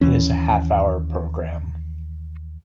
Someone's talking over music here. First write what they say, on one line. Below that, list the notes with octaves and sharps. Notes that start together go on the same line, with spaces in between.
It is a half-hour program.
D#2 E3 C#4